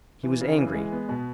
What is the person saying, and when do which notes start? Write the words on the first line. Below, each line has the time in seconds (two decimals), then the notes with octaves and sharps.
He was angry.
0.23 E3
0.41 C#3
0.58 E3
0.74 G#3
0.92 B3
1.09 B2